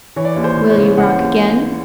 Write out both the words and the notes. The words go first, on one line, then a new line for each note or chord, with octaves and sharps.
"Will you rock again?"
E3 C#5
D5
D#2 C#5
C5
E3
C#5
C#3
C#3 F#5
D#2